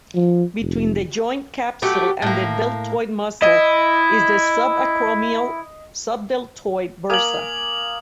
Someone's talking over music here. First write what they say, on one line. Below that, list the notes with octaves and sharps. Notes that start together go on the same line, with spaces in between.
Between the joint capsule and the deltoid muscle is the subacromial-subdeltoid bursa.
F3
F1
F#3 A3 G4
A2 A#3
E4 D#5
A#3 A#4 G#5 D#6 F#7